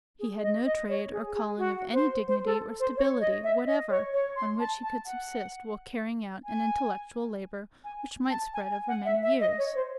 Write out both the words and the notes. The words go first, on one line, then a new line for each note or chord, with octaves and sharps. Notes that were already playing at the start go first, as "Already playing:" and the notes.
He had no trade or calling of any dignity or stability whatever on which he could subsist while carrying out an intellectual labour which might spread over many years.
G#4
D#5
D#5
C#5
G#4
G#4
F#4
C5
C5
A4
C5
C#5
D#5
E5
D#5
C#5
C#5
C6
A5
A5
F#5
G#5
G#5
A5
G#5
G#5
F#5
E5
E5
D#5
C#5
C5